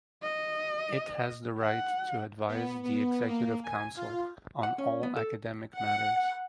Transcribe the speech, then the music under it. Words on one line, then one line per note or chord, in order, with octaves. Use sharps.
It has the right to advise the Executive Council on all academic matters.
D#5
F#5
B3
B3
A#3
G#5
F4
F#5
C#4
B3
A4
F#5